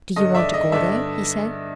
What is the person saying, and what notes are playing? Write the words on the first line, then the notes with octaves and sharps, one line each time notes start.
"Do you want to go there?" he said.
G2 D3 D#5
D5 E5
D#5
G2 D3 D5 E5